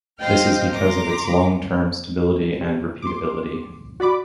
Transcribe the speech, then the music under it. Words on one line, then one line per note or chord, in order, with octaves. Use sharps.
This is because of its long-term stability and repeatability.
C5 D#5 F5 G5 F6
A#5 C6 D6
C3
C6 D6
F#4 D5 B5 D6